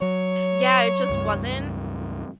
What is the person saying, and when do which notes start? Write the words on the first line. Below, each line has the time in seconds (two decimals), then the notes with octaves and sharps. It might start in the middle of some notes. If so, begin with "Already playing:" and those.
Yeah. It just wasn't
0.01 F#3 C#5
1.09 C#2 G2